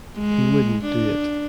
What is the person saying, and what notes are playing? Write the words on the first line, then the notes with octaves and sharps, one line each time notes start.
He wouldn't do it.
G#3
D4